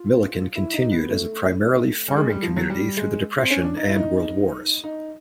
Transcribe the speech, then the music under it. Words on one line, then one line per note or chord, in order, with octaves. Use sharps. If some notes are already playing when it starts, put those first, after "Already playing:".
Milliken continued as a primarily farming community through the depression and world wars.
Already playing: F4
E4
D#4
B3
A3
G3
G#3
G3
F3
F#3
G3
G#3
C4
C#4
D4
D#4
E4
D#4
D#4